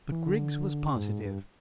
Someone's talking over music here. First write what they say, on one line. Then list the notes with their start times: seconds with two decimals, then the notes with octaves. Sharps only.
But Griggs was positive.
0.12 E3
0.26 D3
0.96 G#2
1.25 G2